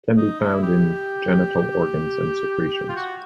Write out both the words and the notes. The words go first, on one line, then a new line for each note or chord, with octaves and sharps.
Can be found in genital organs and secretions.
D#4
E4
G4
G4
F4
F#4